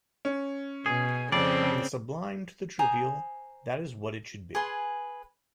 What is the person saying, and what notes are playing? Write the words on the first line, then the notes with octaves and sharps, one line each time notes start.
From the sublime to the trivial, that is what it should be.
C#4
B2 G#4
F2 C#3 C4 D5
C5 G#5 A#5 D#6
G#4 B4 G#5 C6